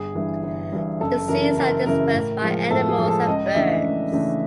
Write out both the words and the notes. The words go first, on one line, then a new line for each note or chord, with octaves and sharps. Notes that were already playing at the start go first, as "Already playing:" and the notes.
The seeds are dispersed by animals and birds.
Already playing: G1 G#4
G2 E3
G1
G2 E3
F#1 A4
F#2 C#3 E3 A#4
F#1 A#4
F#2 C#3 E3 A#4
A2
F3 G#3
A2 A4
G#4
F3 G#3
A4
C#2 D#5
D#5
C#3 E3 A3 D4 E5
C#2
C#3 E3 A3 D4